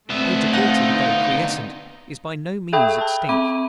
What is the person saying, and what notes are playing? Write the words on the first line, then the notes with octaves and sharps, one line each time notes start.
Oh, dacoity, though quiescent, is by no means extinct.
D2 B2 A3 B3 C4 E5
D#4 F5 F#5
G#4 A4 E5 G5 B5 D#6
G5 A5
C4 E5 B5 D6 D#7